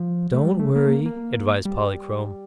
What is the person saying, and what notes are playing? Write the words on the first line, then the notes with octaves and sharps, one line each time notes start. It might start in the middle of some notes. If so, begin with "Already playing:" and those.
"Don't worry," advised Polychrome.
Already playing: F3
A3
G3
A3
A#3
A3
A#3
A#3
G3